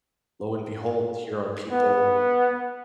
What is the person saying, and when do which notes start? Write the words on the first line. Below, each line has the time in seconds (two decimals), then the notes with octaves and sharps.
lo and behold, here are people,
1.72 B3